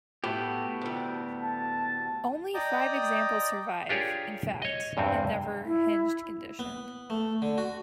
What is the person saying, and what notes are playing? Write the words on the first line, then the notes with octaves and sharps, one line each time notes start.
Only five examples survive, in fact, in never hinged condition.
A2 B3 F#4 G4
D2 A2
A5
D5 D#5 G5 A#5 D6 D#6
D4 F4 G4 G#4 A#4 C#5
C#5 D#5
E2 G2 C3 C4
E4
B3
A3
D3
F#4